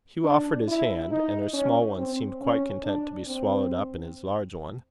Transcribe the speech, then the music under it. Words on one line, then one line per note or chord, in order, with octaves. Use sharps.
Hugh offered his hand; and her small one seemed quite content to be swallowed up in his large one.
D4
E4
D#4
C#4
C4
C#4
D4
C4